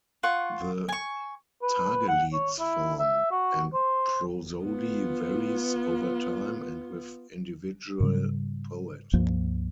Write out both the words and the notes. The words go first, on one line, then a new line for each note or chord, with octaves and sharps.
The tagelied's form and prosody varies over time and with individual poet.
F4 F#5 C#6
G#5 C#6
B4
F#5
C#5
E4
E5
F#4
C5
B3 F4
G#2 C#3 G3
C#2 G2 F3 A#3